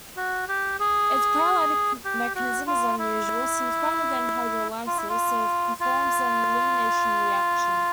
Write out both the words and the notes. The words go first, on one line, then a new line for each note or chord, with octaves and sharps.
Its proteolytic mechanism is unusual since, rather than hydrolysis, it performs an elimination reaction.
F#4
G4
G#4
G4
F#4
F4
E4
F4
E4
F4
F4